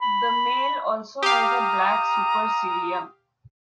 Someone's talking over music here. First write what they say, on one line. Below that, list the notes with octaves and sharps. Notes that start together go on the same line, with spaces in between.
The male also has a black supercilium.
B5
G4 F5 A#5 D#6